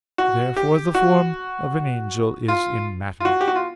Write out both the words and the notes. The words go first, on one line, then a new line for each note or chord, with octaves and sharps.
Therefore the form of an angel is in matter.
F#4
G4
F#4
F4
F4
F#4
G4
F#4
F4